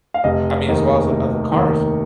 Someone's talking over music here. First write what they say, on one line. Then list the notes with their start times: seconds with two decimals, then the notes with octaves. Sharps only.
I mean, as well as the as the cars
0.14 F5
0.24 F1 D#5
0.67 D#2 D#3
1.10 F1
1.52 D#2 D#3